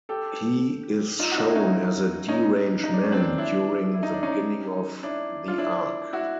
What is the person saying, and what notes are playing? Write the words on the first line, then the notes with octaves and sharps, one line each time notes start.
He is shown as a deranged man during the beginning of the arc.
G4 A4
D#4 F4
F#4
D#4 F4
E4
C#4 D#4
C#4 D#4
D#4
D4
C#4
C4 D4
D4 E4
E4
D#4
D4
C#4 D#4
D4 E4
F4
D4 E4
E4 F#4